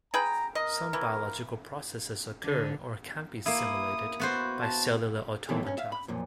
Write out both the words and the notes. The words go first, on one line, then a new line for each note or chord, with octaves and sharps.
Some biological processes occur-or can be simulated-by cellular automata.
G#4 B4 G5 A#5
A#4 D#5
E3
D3
A#3 E4 D#6
B3 F#4 C5
A5
B2 D#3 E3 F#3 A3 C4
G2 C#4
E5 F5
B5
B1 F2 A#2